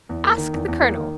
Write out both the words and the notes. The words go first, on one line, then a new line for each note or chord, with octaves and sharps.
"Ask the Colonel."
E2
A#3
D#3
E2
E2
A#3
D#3